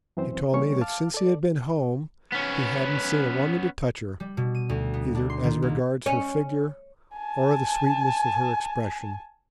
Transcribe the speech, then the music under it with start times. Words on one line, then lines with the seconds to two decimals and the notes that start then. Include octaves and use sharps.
He told me that since he had been home he hadn't seen a woman to touch her, either as regards her figure or the sweetness of her expression.
0.17 F#2 E3 C4 C5
0.53 E3 G3 A#3 C#4 C#5 C#6
0.81 F5 A5 D6 F6
1.14 A4 D5
2.33 B3 C#4
4.20 G3
4.37 B2
4.55 D#7
4.69 D2
4.94 B3
5.15 D4
5.30 C6
5.44 D#3
5.62 C2
6.06 C#4
7.17 G#5 A5